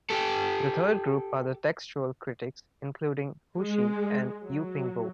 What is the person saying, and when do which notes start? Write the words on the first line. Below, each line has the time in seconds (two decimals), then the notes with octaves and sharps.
The third group are the textual critics, including Hu Shi and Yu Pingbo.
0.10 G4 A4
3.57 G#3
4.44 F#3